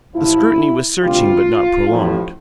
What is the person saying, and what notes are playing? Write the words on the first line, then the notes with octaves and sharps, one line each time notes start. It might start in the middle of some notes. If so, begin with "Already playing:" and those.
The scrutiny was searching but not prolonged.
A1 A2 F3 E4
D2 C3 G3 F4
A1 A2 F3